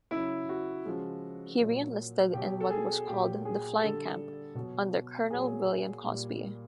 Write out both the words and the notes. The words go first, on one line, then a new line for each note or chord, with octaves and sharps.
He reenlisted in what was called the "Flying Camp" under Colonel William Cosby.
C#3 F#3 E4
F#4
C#3 F3 G#3
A#2 F#3
B2 F#3 G4
A4
G#4
A#2 F#3 G4
G#4
D3 G3 A4
B2 F#3
A#2 F#3 G#4
A#2 G3